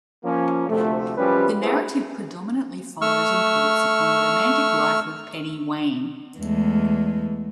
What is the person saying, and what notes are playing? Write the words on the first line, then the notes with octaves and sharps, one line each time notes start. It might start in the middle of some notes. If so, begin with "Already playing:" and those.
The narrative predominantly follows and pivots upon the romantic life of Penny Wain.
F3 A#3 C#4
D2 C3 F3 A3
F#2 F3 G3 C#4 G4 B4
A#3 B3 E4 G#4 C5
A3 C#6 E6 F6
E2 G#3 A3